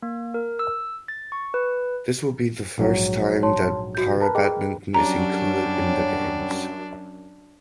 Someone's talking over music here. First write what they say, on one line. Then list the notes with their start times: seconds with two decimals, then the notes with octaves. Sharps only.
This will be the first time that para badminton is included in the Games.
0.02 A#3
0.34 A#4
0.59 E6
1.08 A6
1.32 C#6
1.54 B4
2.78 A#1 G#2 F#3
3.43 C#5 A5 C6
3.95 F#4 G6
4.21 A#4 B4 A5
4.35 G#4 D#5 G5
4.95 F#2 F#3 G3 C#4 D4 A#5